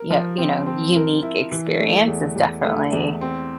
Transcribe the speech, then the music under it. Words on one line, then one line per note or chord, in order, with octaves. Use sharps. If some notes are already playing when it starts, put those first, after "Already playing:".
yo you know, unique experience is definitely,
Already playing: A#4
F3
C4
C4
A#4
E4
E3
A3
E2
E2
A3
E2
C4